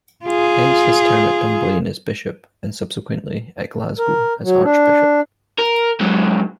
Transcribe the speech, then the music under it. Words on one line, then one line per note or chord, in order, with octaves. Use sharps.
Hence his term at Dunblane as Bishop and subsequently at Glasgow as Archbishop.
F4 G#4
A#4
F#3
D4
A#4
G#2 F#3